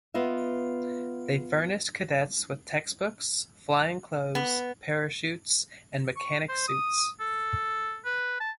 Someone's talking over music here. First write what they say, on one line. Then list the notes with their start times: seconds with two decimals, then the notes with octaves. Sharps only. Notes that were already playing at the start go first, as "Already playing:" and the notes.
They furnished cadets with textbooks, flying clothes, parachutes, and mechanic suits.
0.14 B3 F4 D#5 E5
4.35 B3
6.16 C#6
6.49 C5
6.68 D#6
7.20 A4
8.05 B4
8.40 A5